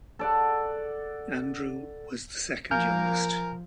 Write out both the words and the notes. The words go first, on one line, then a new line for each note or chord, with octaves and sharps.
Andrew was the second youngest.
A4 D5 F#5
F3 A#3 A#4 G#5 F6 G6